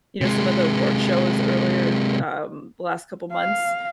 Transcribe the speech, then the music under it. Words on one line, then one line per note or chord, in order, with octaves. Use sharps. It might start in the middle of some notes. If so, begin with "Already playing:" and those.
you know, some of the award shows earlier, um, the last couple months,
C3 G#3
F5